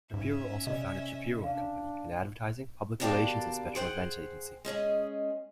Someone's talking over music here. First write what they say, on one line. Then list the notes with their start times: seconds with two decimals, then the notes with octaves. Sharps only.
Shapiro also founded "Shapiro and Company", an advertising, public relations and special events agency.
0.14 G#2 C#4 E5
0.67 C3 D5 D#5
1.44 D4 F5
3.00 B2 D3 A#3 D4 G4 D5
3.75 G#4 C5 F#5 G5
4.65 G#3 C#4 G#4 D#5